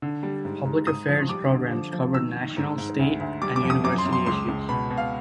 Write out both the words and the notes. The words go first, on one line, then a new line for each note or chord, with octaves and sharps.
Public Affairs programs covered national, state and University issues.
D3
G3
G#2
G#2
G#2 D#6
F3
G3 D6
D3
F3
F3
D#3 E6
D#3
G#2
G#2
D2
D2
G3 D6
D6
F2
D#6
F#2 D6
C6
F#2
C6
C#2 C6
C#2
B2 B5
B2
F5